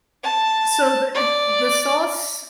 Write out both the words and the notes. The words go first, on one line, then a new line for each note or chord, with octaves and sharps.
So, the eh the sauce
A5
D5